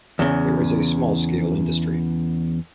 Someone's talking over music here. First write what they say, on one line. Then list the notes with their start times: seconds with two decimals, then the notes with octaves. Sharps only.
There is small scale industry.
0.19 E2 C#3